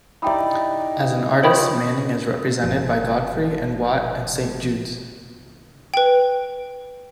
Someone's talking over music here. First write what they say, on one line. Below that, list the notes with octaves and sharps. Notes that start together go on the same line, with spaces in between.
As an artist Manning is represented by Godfrey and Watt, and Saint Judes.
D#4 E4 G4 D5 E5 G5 B5
F3 C5 C#5 G5 B5 D#6
G1 F3
B4 G5